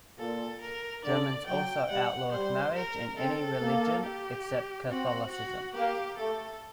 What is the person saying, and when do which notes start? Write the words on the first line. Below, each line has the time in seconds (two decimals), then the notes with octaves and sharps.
Germans also outlawed marriage and any religion except Catholicism.
0.18 A#2 A4
0.61 A#4
1.04 D3 D5
1.47 F#3 G5
1.90 G3 F#5
2.32 G3 C5
2.75 A#4
3.18 C4 A4
3.61 A#3
4.04 G4
4.89 C4 F#4
5.32 F#4
5.75 A#3 G4
6.18 A3 A4